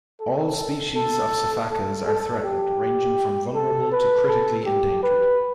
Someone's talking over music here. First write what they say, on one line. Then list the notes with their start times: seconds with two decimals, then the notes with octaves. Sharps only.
All species of sifakas are threatened, ranging from vulnerable to critically endangered.
0.21 A4
0.95 A4
1.69 A4
2.06 A4
2.43 G4
3.54 A4
3.91 B4
4.29 A4
4.66 G4
5.03 B4